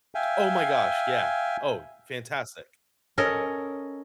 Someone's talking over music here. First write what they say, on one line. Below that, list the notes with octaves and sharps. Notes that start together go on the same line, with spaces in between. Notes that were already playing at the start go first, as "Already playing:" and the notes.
Oh, my gosh, yeah. Oh, fantastic.
E5 F5 G5 G#5
C#4 A4 A#4 D#5